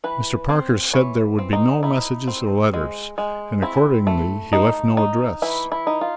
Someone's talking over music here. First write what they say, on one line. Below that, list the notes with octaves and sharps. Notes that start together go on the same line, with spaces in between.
"Mr. Parker said there would be no messages or letters, and accordingly he left no address."
E3 B4
C4 C5
E3 C#5
C4
D#4
D#4 E4
C4
G#3
G#3
C4 E4
A3
D#4
D#4
E3 E4
E4
D#4
F4